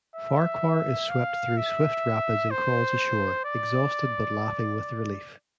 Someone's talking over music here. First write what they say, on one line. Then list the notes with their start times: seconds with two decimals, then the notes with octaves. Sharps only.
Farquhar is swept through swift rapids and crawls ashore exhausted but laughing with relief.
0.16 E5
1.10 F5
1.57 E5
2.51 C5
3.45 D5